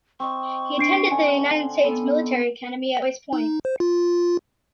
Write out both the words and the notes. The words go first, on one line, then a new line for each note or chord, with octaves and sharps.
He attended the United States Military Academy at West Point.
C4 D#5 C#6
D4 C7 D7
D3 G#5
B3 A4
D#4
C5
F4